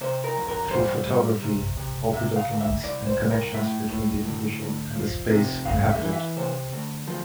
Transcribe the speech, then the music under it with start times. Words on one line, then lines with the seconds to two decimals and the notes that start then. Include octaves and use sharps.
Through photography Opie documents the connections between the individual and the space inhabited.
0.01 C3 C5
0.24 A#4
0.36 F2
0.48 A#4
0.71 G3 C5
1.06 G3
1.42 C3
1.77 C3
2.13 C3 E5
2.36 F5
2.49 D2
2.61 E5
2.83 C2 D5
3.07 C5
3.19 C2
3.31 A#4
3.54 A2 E5
3.90 A2
4.25 D2
4.60 D2
4.96 F3
5.31 C3
5.66 G2 F5
5.90 E5
6.01 E3
6.13 E5
6.37 C3 C5
6.72 D2
7.08 F3